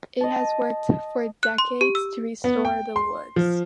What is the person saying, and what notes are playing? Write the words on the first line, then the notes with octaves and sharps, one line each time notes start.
It has worked for decades to restore the woods.
D#5 A5
F#6
C6
G4
E6
B3
G5
C6
F3